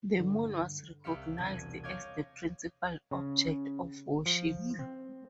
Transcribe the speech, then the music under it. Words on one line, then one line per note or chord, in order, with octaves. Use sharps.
The moon was recognized as the principal object of worship.
G2 D3
C2 G4 E5 F5 C#7
E1 C3 G#6 D#7
C#5 D#5 F5 D6 G6 G#6
C#3
F3
C4